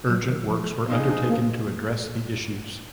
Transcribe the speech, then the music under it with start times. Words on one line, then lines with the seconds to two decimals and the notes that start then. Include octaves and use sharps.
Urgent works were undertaken to address the issues.
0.08 F#3
0.28 D#3
0.48 F3
0.87 F3 G#3 B3 D#4 G#4
1.07 D4
1.27 A#3